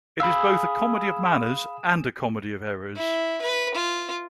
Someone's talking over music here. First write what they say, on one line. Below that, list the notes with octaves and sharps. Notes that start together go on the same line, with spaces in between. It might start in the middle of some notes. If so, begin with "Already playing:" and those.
It is both a comedy of manners and a comedy of errors.
G#4 F5 B5 E6
E4
B4
F4